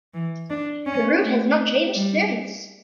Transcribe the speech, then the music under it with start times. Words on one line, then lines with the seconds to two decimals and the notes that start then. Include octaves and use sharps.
The route has not changed since.
0.14 E3
0.50 D4
0.87 C#4
1.24 A3
1.96 G3